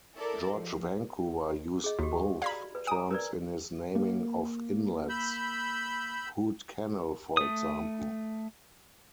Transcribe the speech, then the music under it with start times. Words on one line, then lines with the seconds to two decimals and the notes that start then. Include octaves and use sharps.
George Vancouver used both terms in his naming of inlets, Hood Canal for example.
0.16 E4 A4 A#4 D5
0.50 F3
1.84 G#4 D#5
1.99 D#2 F#4 G4
2.42 D5 F5 A#5 B5
2.75 B4
2.87 G#5 A#5 D#6
3.11 A#4 B4 D5
3.95 A#3
5.09 B5 E6 G6
7.37 A3 D#6